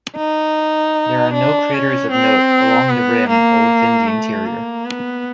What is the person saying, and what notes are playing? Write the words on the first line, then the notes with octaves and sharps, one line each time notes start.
There are no craters of note along the rim or within the interior.
D#4
D4
C#4
C4
B3
A#3
A3
A#3
B3